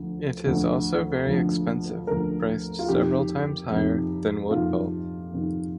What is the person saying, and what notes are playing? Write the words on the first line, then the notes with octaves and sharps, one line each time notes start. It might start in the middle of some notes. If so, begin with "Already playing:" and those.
It is also very expensive, priced several times higher than woodpulp.
Already playing: D2 D3 F3
D2 D3 F3
D2 D3 F3
D2 D3 F3 A#4
F4
F2 C3 D#3 G4
F2 C3 D#3
F2 C3 D#3 F4
F2 C3 D#3